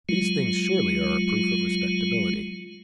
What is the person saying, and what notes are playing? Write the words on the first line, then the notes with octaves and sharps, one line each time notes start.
These things, surely, are a proof of respectability.
F#3 G#3 F4